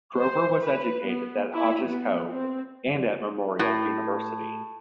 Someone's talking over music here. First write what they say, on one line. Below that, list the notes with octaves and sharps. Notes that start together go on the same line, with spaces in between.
Drover was educated in Hodge's Cove and at Memorial University.
C5
B4
B3
E4
B3
C4
A2